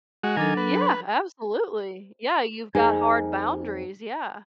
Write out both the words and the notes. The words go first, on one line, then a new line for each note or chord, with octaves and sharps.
Yeah, absolutely yeah, you've got hard boundaries, yeah.
G#3 F#4
D#3 F#3 D4 A4 G#5
B4
F2 A#3 D#4 G#4